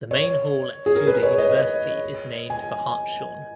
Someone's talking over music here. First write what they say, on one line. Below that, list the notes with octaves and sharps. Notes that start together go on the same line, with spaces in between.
The main hall at Tsuda University is named for Hartshorne.
C#5
G#4
A#4
B4
C#5
D#5
G#5